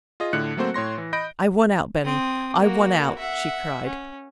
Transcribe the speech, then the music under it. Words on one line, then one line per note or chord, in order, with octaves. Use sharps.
"I won out, Bunny--I won out!" she cried.
F4 G#4 D#5
A2 D3 F#6 C#7
F#3 A3 A#3 C4 F#4 C5
A2 C#5 C6 A#6
E3
D#5 B5 G6 A#6 D7
C4 D#6
A#3 F#4
E5 F#5
C#4